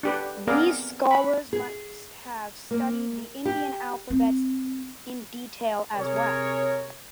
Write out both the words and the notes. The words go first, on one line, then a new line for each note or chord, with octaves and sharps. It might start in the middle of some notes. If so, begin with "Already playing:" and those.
These scholars must have studied the Indian alphabets in detail as well.
D4 G4 B4
B3 C4 G#4 A#4 D5 F5
B5
G#4
A#3
G4
C4
C3 G#4 A#4 C#5